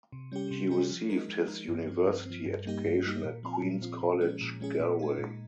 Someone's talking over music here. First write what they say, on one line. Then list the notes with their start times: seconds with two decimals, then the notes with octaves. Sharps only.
He received his university education at Queens College Galway.
0.12 C3
0.32 G3 C#4 G4
0.51 C3
0.70 G3 C#4 G4
0.90 F3
1.10 G#3 D#4 A#4
1.29 F3
1.48 G#3 D#4 A#4
1.68 G2
1.87 F3 C4
2.06 G2
2.26 F3 C4
2.46 G2
2.66 G3 A#3 D#4 G4
2.84 G2
3.04 G3 A#3 D#4 G4
3.24 A#2
3.43 F3 C4 F4
3.63 A#2
3.82 F3 C4 F4
4.02 A#2
4.21 F3 G#3 C#4 G#4
4.41 A#2
4.60 F3 G#3 C#4 G#4
4.80 A#2
4.99 G#3 D#4
5.18 A#2